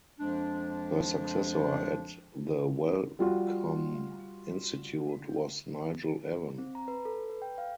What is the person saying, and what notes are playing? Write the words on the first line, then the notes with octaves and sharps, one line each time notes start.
Her successor at the Wellcome Institute was Nigel Allan.
F2 F3 G#3 D4
G3 F4 F#4
C4
A#5
B4
A4
B4
G5
F5